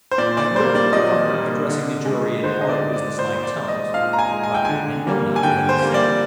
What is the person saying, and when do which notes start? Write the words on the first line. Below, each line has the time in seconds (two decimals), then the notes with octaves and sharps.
I heard the Coroner addressing the jury in hard, business-like tones, but I know not what he said.
0.11 C5
0.18 A#2 D5
0.37 D5
0.56 G3 A#3 C5
0.75 D5
0.93 A#2 D#5
1.30 G3 A#3
1.68 D3
2.05 G#3
2.44 D3 C5
2.61 D#5
2.69 D5
2.81 G#3
2.94 D5
3.18 A#2 C5
3.36 C5
3.43 D5
3.56 G#3
3.68 D#5
3.94 A#2 F5
4.13 A#5
4.19 G#5
4.31 G#3
4.43 G#5
4.55 G5
4.65 D3 G#5
5.07 G3 A#3
5.36 G#5
5.43 D3 G5
5.69 C5
5.82 G3 A#3
5.94 D5